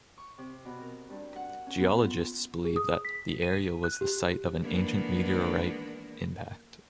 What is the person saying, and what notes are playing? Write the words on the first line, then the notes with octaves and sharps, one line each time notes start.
Geologists believe that the area was the site of an ancient meteorite impact.
C#6
C3
B2
A#4
G2
F#5
C#4
B3
F4
G#4
D#6
B6
D#7
F#6
G4
D#3 E3 G#3 A#3 B3 D4